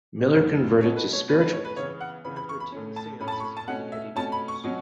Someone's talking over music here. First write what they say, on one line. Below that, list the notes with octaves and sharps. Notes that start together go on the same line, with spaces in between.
Miller converted to spiritualism after attending seances of the Eddy brothers.
F#2 C#3 A3
B2 A3 C#4 C#5
B4
C#5
B2 A3 C#4 B4
B4
C#5
B4
C#3 E3 B3 C#5
F#5
C#3 E3 B3 B5
B5
C#6
B5
A2 A3 C#4
A5
A2 A3 C#4 B5
A5
B5
C#6
B5
A5
B2 A3 C#4 F#5
E5
B2 A3 C#4 A5
B5
C#6
B2 F#3 C#4